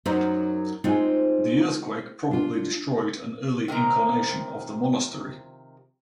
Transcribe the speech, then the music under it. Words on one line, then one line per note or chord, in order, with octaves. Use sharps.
The earthquake probably destroyed an early incarnation of the monastery.
F#2 F#3 D#4 C5
G#3 C4 D#4 F4 G#5
D4 F4
C3 D#3 F3 A#5